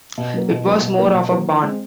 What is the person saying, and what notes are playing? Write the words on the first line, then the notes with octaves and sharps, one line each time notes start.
It was more of a barn.
B2
F#3 A#3
B2
F#3 A#3
B2
F#3 A#3
B2
F#3 A#3
E3
G#3 C4